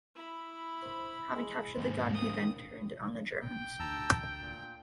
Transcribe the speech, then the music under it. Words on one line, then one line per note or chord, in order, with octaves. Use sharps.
Having captured the gun, he then turned it on the Germans.
E4 B5
C5
G#3
D#2 G#2 C4
A#3 D#6
G5
D2 A5 A#5 E6
A#2